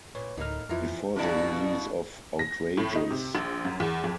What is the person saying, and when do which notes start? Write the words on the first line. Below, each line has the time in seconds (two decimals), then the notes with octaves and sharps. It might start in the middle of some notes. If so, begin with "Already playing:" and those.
Before the release of Outrageous!
0.15 A#2 B4 C#5
0.38 D2 A2 A#3 D#4 D#5 F6
0.69 F2 E3 F3 E4 F4 E5
1.16 G2 B2 E4
2.39 A#6
2.77 A2
2.96 D#4
3.10 C3
3.35 A#1
3.65 F#2
3.80 E2
4.04 F2